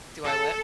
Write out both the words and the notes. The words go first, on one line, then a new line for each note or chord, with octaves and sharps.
Do I what?
A4